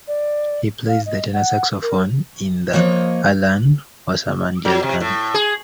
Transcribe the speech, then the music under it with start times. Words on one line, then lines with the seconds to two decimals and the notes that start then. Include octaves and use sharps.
He plays the tenor saxophone in the Alan Wasserman Jazz Band.
0.08 D5
0.88 F5
1.06 D#5
1.33 F#5
1.82 A#4
2.73 F3 A#3 C#5 D#5
4.65 F#3
4.83 C3
5.01 A2
5.34 G#4